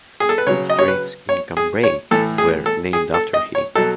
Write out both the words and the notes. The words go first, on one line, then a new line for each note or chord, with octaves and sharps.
Two streets in Cambrai were named after him.
G#4
A4
B4
C#3 F#3 C#5
D#5
C#5
B4
C#5
G#4
C#5
A2 E3 A4
G#4
A4
G#4
A4
D#5
C#5
B2 F#3 A4